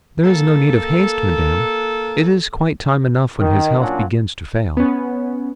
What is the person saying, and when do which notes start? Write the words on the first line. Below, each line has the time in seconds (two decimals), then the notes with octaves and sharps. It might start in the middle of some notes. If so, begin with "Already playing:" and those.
'There is no need of haste, Madame; it is quite time enough when his health begins to fail.'
0.24 A#3 A4
3.38 D#3
3.77 A#2 F#3 C#4 D4 F4
4.77 B3 C#4